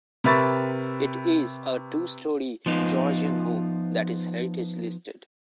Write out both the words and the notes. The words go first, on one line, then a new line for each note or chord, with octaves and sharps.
It is a two-storey Georgian home that is heritage-listed.
C3 A#4 B4 E5 C#6 A6
F3 B3 D#4 F4